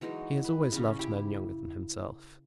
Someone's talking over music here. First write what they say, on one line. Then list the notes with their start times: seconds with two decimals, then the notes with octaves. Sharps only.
He has always loved men younger than himself.
0.01 E3 F#3 G#3 D#4
0.44 B4
0.72 C#3 C#4
0.99 E4 G4